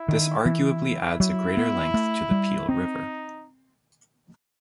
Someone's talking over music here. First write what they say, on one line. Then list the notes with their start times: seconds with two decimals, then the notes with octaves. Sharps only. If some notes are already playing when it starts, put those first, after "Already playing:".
This arguably adds a greater length to the Peel River.
Already playing: E4
0.08 D#3
0.46 E3
1.20 F#3 E4
1.57 B3
1.94 A3
2.31 G3
2.68 C4 D#4